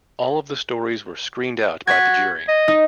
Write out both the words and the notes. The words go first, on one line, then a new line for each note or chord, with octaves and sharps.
All of the stories were screened out by the jury.
F#4 G#6 B6
D#5
D#4